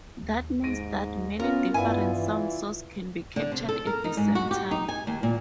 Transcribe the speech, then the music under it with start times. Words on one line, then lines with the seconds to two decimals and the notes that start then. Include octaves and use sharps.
That means that many different sound sources can be captured at the same time.
0.22 D#2
0.64 G#2 A#6 D7 D#7
1.39 B3 C#4 F4 A#4
1.74 G2 B3 E4 F4 D5 G#5
2.15 E3
3.36 D3
3.52 C3
3.69 A4
3.87 A#4
4.04 D#4
4.17 G#2
4.35 F#4
4.51 G4
4.71 D#4
4.88 G#5
5.07 D#2
5.23 A#2